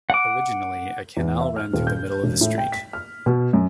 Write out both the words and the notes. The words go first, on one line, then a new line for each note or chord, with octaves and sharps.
Originally, a canal ran through the middle of the street.
F#5 D6
E2
E5
F6
D#1
G6
E1
A2
G5
B6
F6
B2
F#2